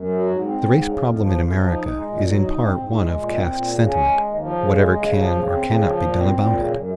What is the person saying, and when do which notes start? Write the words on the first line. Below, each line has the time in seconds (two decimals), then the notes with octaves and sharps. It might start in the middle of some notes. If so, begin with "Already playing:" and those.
The race problem in America is in part one of caste sentiment, whatever can or cannot be done about it.
Already playing: F#2
0.09 F#3
0.26 G#2
0.45 C4
0.63 G#2
0.81 C#3
0.98 F2
1.17 F3
1.34 F2
1.52 F3
1.70 D#4
1.88 G#3
2.05 A#2
2.24 F#3
2.41 D#4
2.59 C4
2.77 G#2
2.95 G#3
3.13 A#2
3.31 C4
3.49 A#2
3.67 C#3
3.84 C#4
4.03 G#3
4.20 D#2
4.38 F3
4.55 C#3
4.73 G#3
4.92 C#3
5.10 F3
5.28 C#3
5.46 C4
5.63 C#3
5.81 F3
5.99 A#2
6.17 C4
6.34 A#2
6.52 C#3
6.70 F#2